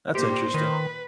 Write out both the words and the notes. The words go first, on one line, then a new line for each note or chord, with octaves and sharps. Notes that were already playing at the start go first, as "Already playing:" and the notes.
That's interesting.
A#2 A#3 G4 C5
D#3 B4